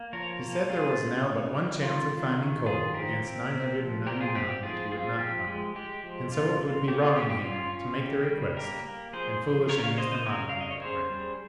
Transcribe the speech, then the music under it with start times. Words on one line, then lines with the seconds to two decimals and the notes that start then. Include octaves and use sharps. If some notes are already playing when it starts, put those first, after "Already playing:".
He said there was now but one chance of finding coal against nine hundred and ninety nine that he would not find it, and so it would be wrong in him to make the request and foolish in Mr. Montague to grant it.
Already playing: A#3
0.13 F3 A#4 C#5
0.41 A#3
0.69 C#4 F4 G#4
0.98 C#4
1.25 C#4
1.54 G3
1.82 D#3 F4
2.10 D#3
2.38 D#3
2.66 D#3 F4 G#4
2.94 F3 G4 A#4
3.22 C4
3.50 C4
3.79 F3
4.06 C4 G4 A#4
4.20 F4 G#4
4.35 C4 G4
4.49 G4
4.63 F3 F4 G#4
4.91 C4 F4 G#4
5.19 F3 G4
5.47 G#3
5.75 G#3 G4
6.03 F3
6.32 C#3 F4
6.60 C#3
6.88 C#4 G4
7.02 F4 G#4
7.16 C#4 G4
7.30 G4
7.44 C#4 F4
7.72 C#4
8.00 C#3 G4
8.28 G3
8.56 A#3 G4 A#4
8.85 A#3
9.13 F3 G#4 C5
9.41 F3
9.69 C#3 A#4 C#5
9.83 C#5 F5
9.97 C#3 C5 D#5
10.11 C5 D#5
10.25 C#3 A#4 C#5
10.49 G3 F5
10.61 D#5
10.71 C#5
10.82 C#4 G#4 C5
11.10 G3